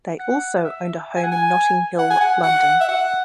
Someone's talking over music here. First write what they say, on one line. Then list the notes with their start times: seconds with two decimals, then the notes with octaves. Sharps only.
They also owned a home in Notting Hill, London.
0.19 F#5
0.64 E5
1.16 G#5
1.23 F#5
1.31 G#5
1.98 F#5
2.10 G#5
2.20 F#5
2.43 F#5
2.81 E5
2.88 F#5